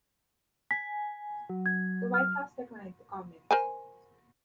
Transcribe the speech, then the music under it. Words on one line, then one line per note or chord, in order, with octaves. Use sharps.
The White House declined to comment.
G#5 B6
F#3
G#6
F6
A#4 C5 G#5